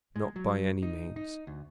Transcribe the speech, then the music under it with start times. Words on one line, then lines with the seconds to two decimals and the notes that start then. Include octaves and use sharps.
Not by any means!
0.16 G#3
0.36 F#3
0.83 D#4
1.16 D#4
1.47 D2